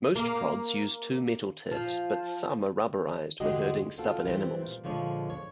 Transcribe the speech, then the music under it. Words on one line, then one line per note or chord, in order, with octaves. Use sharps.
Most prods use two metal tips, but some are rubberized for herding stubborn animals.
A#3
F3
E2 D3 G#3 F#4 G4 D#5
C4 F4 F#4 A4
E3 G3 C4 C5
A#2
A#2 D3 F3 G#3 C#5
C#5